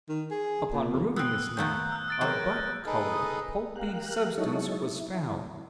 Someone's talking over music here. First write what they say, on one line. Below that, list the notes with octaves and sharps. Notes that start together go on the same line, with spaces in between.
Upon removing this nap, a buff-colored, pulpy substance was found.
D#3
G#4
A#2
F2
B3 C4 D#6 E6 F#6
D#3 A3 B3 F5 A#5 G6
E6 F#6
E6 A6 D7
F#3 C4 G#4 A#4 B4 F#6 G6
D#4 G#4 A4 B4 D#5
G4 A#4 F5 F#6
F#3 G#3 D#4 E4 A4 C#5
E4